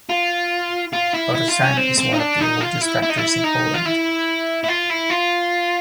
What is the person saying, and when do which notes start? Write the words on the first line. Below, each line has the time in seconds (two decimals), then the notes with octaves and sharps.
Autosan is one of the oldest factories in Poland.
0.09 F4
0.93 F4
1.14 E4
1.35 E4
1.49 F4
1.63 C#4
1.77 C4
1.98 C4
2.13 D#4
2.19 D4
2.40 D#4
2.61 F4
2.81 E4
3.02 E4
3.10 D#4
3.17 E4
3.44 D#4
3.74 F4
3.85 E4
4.64 E4
4.68 F4
4.90 E4
5.10 F4